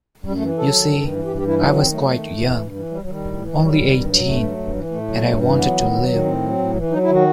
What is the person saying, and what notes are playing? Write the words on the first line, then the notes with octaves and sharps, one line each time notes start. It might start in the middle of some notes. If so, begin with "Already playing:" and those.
You see, I was quite young — only eighteen — and I wanted to live.
F#2 G3
A3
E3
F#3 A4
D#3
G2
E3
G2 G4
G4
E3
E4
F#3 D#4
D#3 C4
F#3 A3
D#3
A2
E3
G2
E3
F#3 G3
F#3
D#3 G3
A2
E3
F#3 G3
D#3
G2
F#3
G2 A3
F#3
G2
E3
A2 A3
F#3
G2
E3
F#3 B3
D#3
F#3
D#3
A2 C4
F#3
A2
E3
F#3 D#4
E4
D#3 F#4